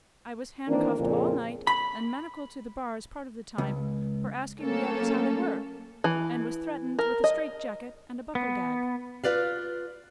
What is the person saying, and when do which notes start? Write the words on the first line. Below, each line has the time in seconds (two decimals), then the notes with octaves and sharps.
I was handcuffed all night and manacled to the bars part of the time for asking the others how they were, and was threatened with a straitjacket and a buckle gag.
0.68 D#3 E3 A#3 C4 D4
0.98 F2 A#2 C#3
1.67 B5
3.58 C#2
4.62 F#3 A3 A#3 C#4 A4
6.04 E3
6.99 A#4
7.24 D#5
8.35 B3
9.24 F4 B4 D5 F5